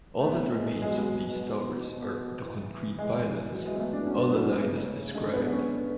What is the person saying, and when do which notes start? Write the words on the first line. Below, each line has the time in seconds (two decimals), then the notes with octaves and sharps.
All that remains of these towers are the concrete pylons, all aligned as described.
0.20 A3
0.27 A2 B3
0.54 G#3
0.82 B2 G#3
0.90 F#3
0.96 G#3
1.36 B2
1.90 B2
2.44 E3
2.98 G#3
3.52 E3 F#3
3.66 G#3
3.75 B3
3.79 A3
3.93 D4
4.06 F#3 C#4
4.33 B3
4.50 B3
4.61 C#3 A3
5.14 D3 G#3
5.34 B3
5.47 B3
5.52 C#4